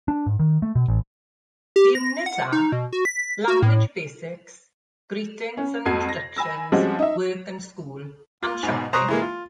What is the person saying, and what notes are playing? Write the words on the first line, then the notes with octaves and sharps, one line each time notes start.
The units are: Language Basics, Greetings and Introductions, Work and School, and Shopping.
D4
G#2
D#3
A3
B2
A1
G4
A#6
F#5
D#4
B2
F#4
B6
F#4
A2
C#4
F2 F#4 G#6 C7
A#6
G#5 B5 E6 A#6
F3 G3 G#3 C4 C#4 F#4
D#4 E5
F4
G#2 B2
C5 A#5 C#6 D#6 F#6
E3 G#3 A#3
F4